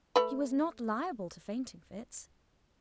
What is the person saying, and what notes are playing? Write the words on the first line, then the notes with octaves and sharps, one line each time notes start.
He was not liable to fainting fits.
A3 B4